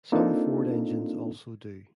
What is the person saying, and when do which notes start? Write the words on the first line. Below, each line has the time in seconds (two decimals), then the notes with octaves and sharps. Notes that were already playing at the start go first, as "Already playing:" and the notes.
Some Ford engines also do.
0.12 A#3 C4 D4 D#4 F4 A4